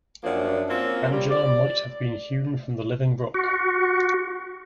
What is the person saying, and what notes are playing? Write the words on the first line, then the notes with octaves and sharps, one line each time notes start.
Angela might have been hewn from the living rock.
F#2 F3 A#3 D4
A#3 C4 C#4 F4
G3
D5
F#4